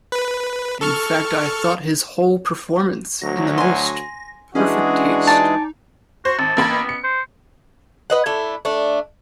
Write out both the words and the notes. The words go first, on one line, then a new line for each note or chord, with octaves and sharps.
In fact, I thought his whole performance in the most perfect taste.
B4
A4 C#6 F6
D2 F#3 A#6
G#5 C6
E3 G#3 C#4 D4 F#4 G#4
D#4 D5 G#5 A5
F#4 C5
G#1 A5
A1 A#3 B5
B3
C#7
C5
B4 D#5 F#5
A3 D4 E4
A3 D4